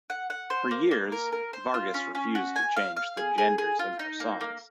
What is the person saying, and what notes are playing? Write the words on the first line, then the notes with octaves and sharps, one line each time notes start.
For years Vargas refused to change the genders in her songs.
F#5
F#5
C5
A#3
A#3
A#4
A#4
C5
F4
C#4
C#4
F#4
G#5
F5
F5
G#4
G#4
G#4
F4
D#4
A#3
A#3